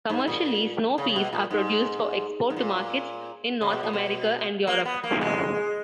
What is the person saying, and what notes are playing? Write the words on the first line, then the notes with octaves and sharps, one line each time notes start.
Commercially, snow peas are produced for export to markets in North America and Europe.
G#2
A#2
C#3
C#3
B2
A#2
G#2
G#2
A#2
C#3
B2
A#2
B2
A#3
B3
A#3
G#3